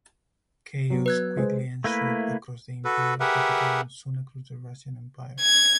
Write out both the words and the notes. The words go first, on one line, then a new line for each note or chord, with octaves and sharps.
Chaos quickly ensued across the Imperial capital and soon across the Russian Empire.
F#3 B3
B4 F#6 G#6
G#3 C5
A3 A#3 E4 B4
F#4 A4 B4
G4 G#4 A#4 B4 E5 F#5
G#6